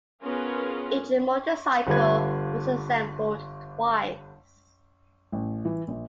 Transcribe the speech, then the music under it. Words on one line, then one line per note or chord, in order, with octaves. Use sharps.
Each motorcycle was assembled twice.
B3 C#4 F4 G#4 A#4 B4
G1 D3 G3 F4 B4 G#6
A1
E3
A#1